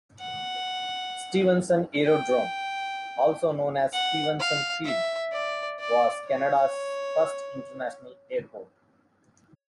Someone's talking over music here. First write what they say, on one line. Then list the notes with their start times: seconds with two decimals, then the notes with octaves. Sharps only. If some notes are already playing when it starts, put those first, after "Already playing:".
Stevenson Aerodrome, also known as Stevenson Field, was Canada's first international airport.
0.19 F#5
2.06 G5
3.93 F#5
4.39 F5
4.85 E5
5.32 D5
5.79 D5
6.26 C#5